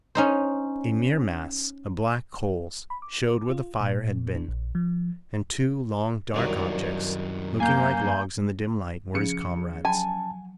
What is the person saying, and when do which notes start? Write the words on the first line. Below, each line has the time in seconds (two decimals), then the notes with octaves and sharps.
A mere mass of black coals showed where the fire had been, and two long dark objects looking like logs in the dim light were his comrades.
0.15 C#4 D#4 C5
2.90 B5
3.02 D6
3.49 F4
3.80 A#2
4.36 D4
4.48 A#1
4.75 F3
6.34 C2 F#2 D#3 F#3 D5
7.60 A#3 G#5 G6
9.14 C#3 F3 C#7
9.85 F#3 G#5 A5